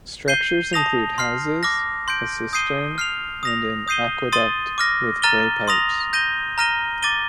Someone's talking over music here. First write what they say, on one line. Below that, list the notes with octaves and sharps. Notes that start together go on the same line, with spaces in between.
Structures include houses, a cistern and an aqueduct with clay pipes.
G6 C7 D#7 G7
A5 D#6 A#6 F7
C6 F6 C7
D6 F6 A#6
C6 G6 D7
D#6 G6 C7 D#7 G7
F6 C7 F7
D#6 A#6 F7
D#6 G6 C7 D#7 G7
C6 D#6 A6 D#7 G7
D6 F6 A#6
A#5 F6 A6 D#7 G7
C6 D#6 A#6 F7
G6 A#6 D#7 G7
A#5 F6 A#6 D#7 G7
D6 A6 D#7 G7